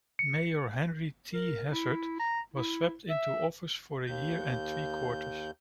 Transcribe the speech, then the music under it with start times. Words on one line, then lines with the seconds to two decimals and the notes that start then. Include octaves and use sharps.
Mayor Henry T. Hazard was swept into office for a year and three quarters.
0.19 C#7
1.34 A#4
1.70 E4
2.20 A#5
2.54 E4
3.09 E5
4.07 D#2 G6